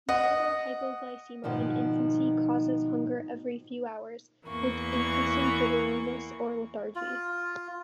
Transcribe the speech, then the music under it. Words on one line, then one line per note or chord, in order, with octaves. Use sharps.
Milder hypoglycemia in infancy causes hunger every few hours, with increasing jitteriness or lethargy.
D#5 F#5
G#2 B2 D#3 F3 G3
E2 E3 A#3 C#6
F4